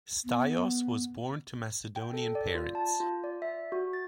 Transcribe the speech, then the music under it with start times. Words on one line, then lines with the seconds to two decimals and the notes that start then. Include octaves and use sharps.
Staios was born to Macedonian parents.
0.25 B3
1.96 G5
2.13 A4
2.35 D5
2.55 F4
2.75 A5
3.00 F4
3.24 D5
3.42 E5
3.72 F#4
3.93 A6